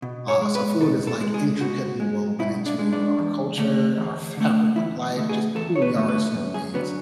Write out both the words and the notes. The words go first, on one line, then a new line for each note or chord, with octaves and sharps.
uh, so food is, like, intricately woven into our culture, our fabric of life, just who we are as human beings,
B2
C#5
G#3
B4
B2 A4
A4
G#3
G#4
B2 F#4
G#3
B2 E4
D4
G#3
D4
E2
D3 A3
E2
D3 A3
E2 E4
D3 A3
G#4
E2 A4
C#5
B4
D3 A3
B4
F#2
G#4
D3 F#3 B3